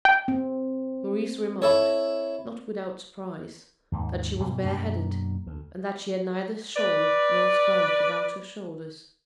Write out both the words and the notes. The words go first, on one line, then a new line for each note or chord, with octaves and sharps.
Maurice remarked, not without surprise, that she was bare-headed, and that she had neither shawl nor scarf about her shoulders.
G5
C4
E4 A4 C#5
D#2 G#2
G2 B2
F#2 B2 A#3 D4
D2
B4 D5